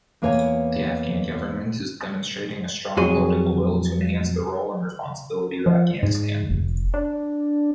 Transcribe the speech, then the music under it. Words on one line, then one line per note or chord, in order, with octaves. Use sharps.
The Afghan government is demonstrating a strong political will to enhance the role and responsibility of Afghanistan.
E2 A#3 B4 C#5 G#5
F2 F#3 G#4 C6
F3
G#2
F1
D4